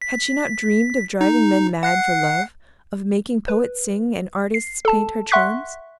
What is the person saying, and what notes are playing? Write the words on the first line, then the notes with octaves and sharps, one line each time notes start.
Had she not dreamed of driving men mad for love, of making poets sing, and artists paint her charms?
B6
D#4
F#5 F#6 C7
B4
C7
A4 A5
E5 F#5 C6 C#6 F#6 B6